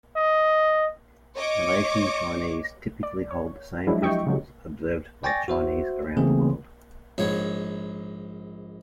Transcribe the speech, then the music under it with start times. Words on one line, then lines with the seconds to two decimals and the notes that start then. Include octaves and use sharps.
Malaysian Chinese typically hold the same festivals observed by Chinese around the world.
0.16 D#5
1.36 C#5 D#5 C#6 D6
3.03 D5
3.31 C#5
3.87 F3 F#3 G#3 D4 E4
4.02 G4 D#5 E5 G5 C#6
4.26 C#3 F#3 G#3
5.24 D5 G5 G#5 C#6 A6 A#6
5.48 F#4 C5 E5
6.17 C#3 E3 A3 A#3 C4 G#4
7.18 A#1 G#2 C#5